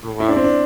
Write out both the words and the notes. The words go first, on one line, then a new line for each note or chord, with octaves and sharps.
Oh, wow.
E4
D4
C4
D4